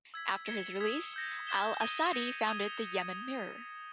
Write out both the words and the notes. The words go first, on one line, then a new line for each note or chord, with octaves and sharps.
After his release, Al-Asadi founded the "Yemen Mirror".
E6 G#6 B6
G#6 C#7 E7 G7
D#6 G#6 B6
E6 G6 A#6
G#6 B6 E7 G7
D#6 G#6 D#7 G7
D#6 A#6 C#7 G7
D#6 G#6 D#7